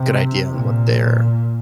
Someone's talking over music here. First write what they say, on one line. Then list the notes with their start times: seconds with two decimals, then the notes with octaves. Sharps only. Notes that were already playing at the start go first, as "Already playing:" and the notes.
good idea on what they're
Already playing: C3
0.53 A#2